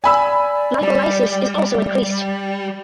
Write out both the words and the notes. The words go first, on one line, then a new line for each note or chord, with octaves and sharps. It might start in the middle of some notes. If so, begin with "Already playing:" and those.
Lipolysis is also increased.
D5 G#5 B5 E6
G3